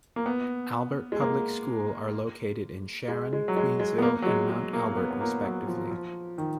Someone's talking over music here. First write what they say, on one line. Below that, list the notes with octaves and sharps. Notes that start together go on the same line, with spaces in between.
Albert Public School are located in Sharon, Queensville and Mount Albert respectively.
A#3
B3
G#3
A#3
G#3
G#3
F#3
G#3
G#3
B3
A#3
F#3
G#3
G#3
A#3
A#3
B3
B3
A#3
F#3
F3
F3
D#3